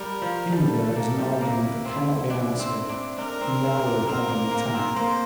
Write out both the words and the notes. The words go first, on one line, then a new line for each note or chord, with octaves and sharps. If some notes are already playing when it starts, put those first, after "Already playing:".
Fever is an argument that cannot be answered, and Raoul had an attack.
Already playing: G3 A#4
F3
G3 A4
A3
A#3
G3
A#3 E4
C4
D4
C4
D4
D4 A#4
C4
C4
D4
C4 A#4
A#3
A#3
C4
A#3 C5